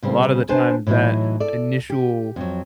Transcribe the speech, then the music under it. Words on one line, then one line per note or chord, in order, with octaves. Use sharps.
a lotta the time that initial
A#2 C#3 G3 C4
B3 D4 C5 G#5 A5
A2 E3 F#3 D#4 E4
A4 D5
G4
F2 F#3